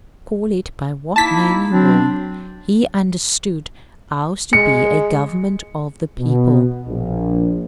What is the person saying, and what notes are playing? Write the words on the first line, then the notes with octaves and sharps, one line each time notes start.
Call it by what name you will, he understood ours to be a Government of the people.
A#3 D#4 E4 A5 B6
F#3 C4 D4
G#3 C#7
B2
A#1